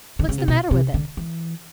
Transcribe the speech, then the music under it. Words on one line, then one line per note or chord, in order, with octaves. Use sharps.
What's the matter with it?'
D3
C#3
C3
B2
C3
D3
E3